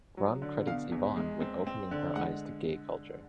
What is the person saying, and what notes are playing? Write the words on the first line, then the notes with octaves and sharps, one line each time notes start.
Grahn credits Yvonne with opening her eyes to gay culture.
F#3
D3
B2 F5
E2
G#3
C4
C4
D3
G#3 F#5